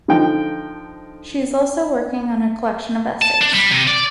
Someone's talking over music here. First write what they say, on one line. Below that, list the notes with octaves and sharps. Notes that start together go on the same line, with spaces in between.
She is also working on a collection of essays.
D3 F3 D#4 G5
A5
D4
G3
C3
D5